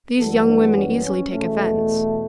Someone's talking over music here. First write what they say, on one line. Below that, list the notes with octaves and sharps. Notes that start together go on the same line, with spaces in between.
These young women easily take offense.
F#2 E3 G3 B3 A4
D4
C#4
C#4
E2 B2 A3